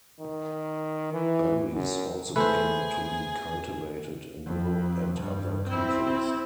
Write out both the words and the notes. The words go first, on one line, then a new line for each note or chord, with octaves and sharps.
Berries also began to be cultivated in Europe and other countries.
D#3
E3
F#2
A3 G#4 B4 C5
F2
G2
C4 E4